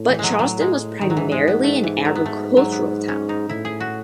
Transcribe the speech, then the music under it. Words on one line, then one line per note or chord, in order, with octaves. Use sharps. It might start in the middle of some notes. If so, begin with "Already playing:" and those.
But Charleston was primarily an agricultural town.
Already playing: A2
E3
F#3 G#3
F#3
G#3
G#2 D#3
F#3
E3
G#3
B3
A3
E3
F#3
B3
G#2 A3
F#3
B3
C#4
D#4
A2 E4
G#4
F#4